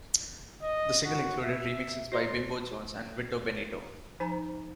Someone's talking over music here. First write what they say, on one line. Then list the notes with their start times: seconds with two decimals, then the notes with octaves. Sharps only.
The single included remixes by Bimbo Jones and Vito Benito.
0.62 D#5
1.05 F#4
1.43 E5
2.12 F#4 C5 D#5 C6
4.20 F3 D#4 C5 G#5 A#5